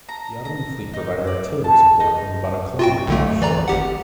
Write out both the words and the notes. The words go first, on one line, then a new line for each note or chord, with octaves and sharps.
The Ottoman fleet provided artillery support, from about a kilometer off shore.
A#5
A#5
D#4
D5
A5
D#4
F4 F#4 G5
B1 D3 A3
E3 D5 A#5
G#1 G4 F#5